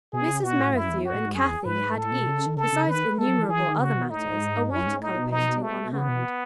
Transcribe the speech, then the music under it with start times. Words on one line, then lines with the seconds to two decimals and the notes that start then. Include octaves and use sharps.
Mrs. Merrithew and Kathie had each, besides innumerable other matters, a water-colour painting on hand.
0.13 B2 G#4
0.28 C#3
0.43 B2 F#4
0.59 A2
0.74 F#2 E4
0.89 E2
1.05 F#2 F#4
1.14 A2
1.25 G#2
1.35 F#2 G#4
1.45 E2
1.65 G#2 B4
1.96 A2 A4
2.11 B2
2.27 C#3
2.46 D#3
2.57 C#3 A4
2.72 C#3
2.88 D#3 B4
3.18 G#3 A4
3.28 F#3
3.38 E3
3.48 E3 G#4
3.64 D#3
3.79 C#3 F#4
3.94 B2
4.10 A2 D#4
4.25 G#2
4.70 F#2 C#4
4.86 G#2
5.01 A2 D#4
5.17 B2
5.31 D#4
5.62 A3
5.93 C#3 B3
6.08 B2